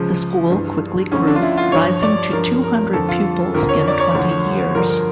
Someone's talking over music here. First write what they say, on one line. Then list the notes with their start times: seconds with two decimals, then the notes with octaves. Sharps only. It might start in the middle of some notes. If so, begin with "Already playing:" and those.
The school quickly grew, rising to two hundred pupils in twenty years.
Already playing: C#2 C#3 F3
0.51 G2 E3
1.12 D2 D3 F3 C#4
1.27 D4
1.35 F4
1.42 E4
1.57 F4
1.72 G2 F3 C#5
2.02 D5
2.33 G2 F3 A#4
2.64 A#4
2.93 F2 D3 F3 A4
3.08 F4
3.54 F2 D3 F3 A#4
3.69 C#5
3.88 D5
4.00 C#5
4.15 D2 D3 F3
4.75 G2 D3 F3 A#4
4.90 A#4